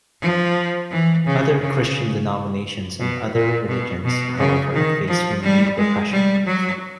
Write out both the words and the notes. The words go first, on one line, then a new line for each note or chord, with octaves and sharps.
Other Christian denominations and other religions, however, faced renewed repression.
F3
E3
C#3
C#3
B2
A#2
B2
B2
C#3
D#3
F3
G3
G#3
G3
F#3